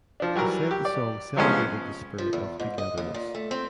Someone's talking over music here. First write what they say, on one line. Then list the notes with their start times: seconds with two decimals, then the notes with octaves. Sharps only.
He said the song celebrated the spirit of togetherness.
0.20 F3 D4
0.36 E3 F#3 G3 A#4
0.71 G4
0.85 D5
1.36 G2 C3 F3 G#3 B3 C#4
2.18 F3
2.33 E2
2.60 G#2
2.78 D#5
2.98 D#2
3.14 A#2
3.35 A3
3.51 C4